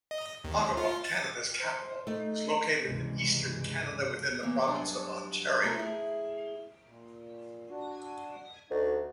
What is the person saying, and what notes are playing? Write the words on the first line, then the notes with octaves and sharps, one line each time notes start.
Ottawa, Canada's capital, is located in Eastern Canada, within the province of Ontario.
D#5
D#2
F4
A6
C5
A3 D#4
C#2 G2 C3 E3 G#3
E3 A#3 B3
G2 F#3 D4 F5 G#5
A3 C#4 F4 A4 A#4
E4 G#4
A#2
D4 F#4
D2 D#4 F#4